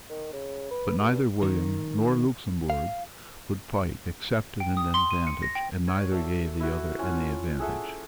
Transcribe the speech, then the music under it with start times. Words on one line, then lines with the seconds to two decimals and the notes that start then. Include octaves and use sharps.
But neither William nor Luxemburg would fight except at an advantage; and neither gave the other any advantage.
0.10 D#3
0.33 C#3
0.71 B4
0.98 G2
1.43 D#3
2.70 F5
4.60 G5
4.77 D#6
4.94 C6
5.11 D#7
5.27 C#7
5.42 A#6
5.55 G5
5.87 C#5
6.11 F#4 A4 D5 E5
6.60 E4 F#4
6.99 C#4 F4 C#5 F#5
7.59 G#4 A4 E5 F#5